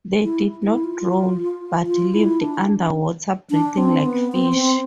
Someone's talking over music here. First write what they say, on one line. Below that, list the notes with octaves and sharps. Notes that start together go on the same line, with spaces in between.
They did not drown, but lived underwater breathing like fish.
E4
E4
F4
F4
E4
D4
D4
C4
B3
C4
C4